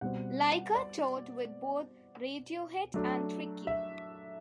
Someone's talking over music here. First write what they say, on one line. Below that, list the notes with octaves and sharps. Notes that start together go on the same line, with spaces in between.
Laika toured with both Radiohead and Tricky.
B2 G3 C4 F#5
D5
F#3 A3 D4
E5